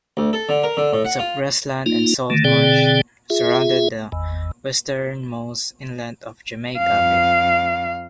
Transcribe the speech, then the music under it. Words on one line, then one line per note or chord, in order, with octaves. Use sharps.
Its of grassland and salt marsh surround the westernmost inlet of Jamaica Bay.
D2
A4
D3
A#4
D3
A2
F#5
F4
A#3 D#4 F4
D3 D#3 A3
B2 D3 C4 G#4 D5 G5
F4 G#4 E5
G#1 E2
F2 F5